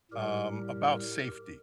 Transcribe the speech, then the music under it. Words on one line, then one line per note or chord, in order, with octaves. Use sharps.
um, about safety
A2 G3 G4 A#4